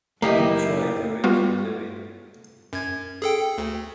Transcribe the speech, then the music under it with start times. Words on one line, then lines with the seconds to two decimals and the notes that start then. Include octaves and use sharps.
What joy there is in living.
0.22 F#1 A#3 D#4 E4 G4 D#5 A#5
1.24 G3 B3 F4 F#4 F5
2.73 F#2 G#6
3.22 G#4 A4 G5
3.58 D2